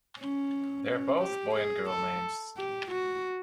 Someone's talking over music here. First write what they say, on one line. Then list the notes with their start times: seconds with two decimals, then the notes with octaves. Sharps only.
They are both boy and girl names.
0.20 C#4
0.88 C#4
1.22 G4
1.56 G#4
1.89 A4
2.57 G4
2.91 F#4